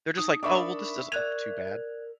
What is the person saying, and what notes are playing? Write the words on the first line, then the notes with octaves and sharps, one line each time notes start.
They're just like, "Oh, well, this doesn't look too bad,"
D#4 D#6
D4 A#4 E5 B5 C#6 D6
A#4 D5 F#6 G#6 F7